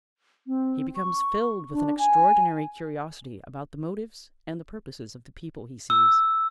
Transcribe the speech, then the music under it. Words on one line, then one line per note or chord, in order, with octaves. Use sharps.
He becomes filled with an extraordinary curiosity about the motives and purposes of the people he sees.
C4
C#6
D4
G#5
E6